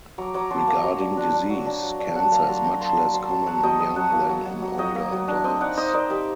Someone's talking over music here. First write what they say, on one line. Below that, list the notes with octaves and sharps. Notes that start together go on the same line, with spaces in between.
Regarding disease, cancer is much less common in young than in older adults.
F#3 A#5 D6
F#3 A#5 D6
F#3 A5 C6
A#3 A#5 D6
F#3 G5 A#5
D4
D4
D4
F#3
D4
F#3
D4
F#3 F#5 A5
A#3 G5 A#5
F#3 A5 C6
D4 G5 A#5
A#3 A5 C6
F#3
F#3 A5 C6
F#3
F#3 F#5 A5
F#3 D#5 G5
F#3 D#5 G5
F#3 F#5 A5
A#3
F#3
F#3
F#3
F#3 D#5 G5
A#3
F#3
D4
C4 D#5 G5
D#4 D5 F#5
D#4 C5 D#5
D#4 A#4 D5
D#4 G4 A#4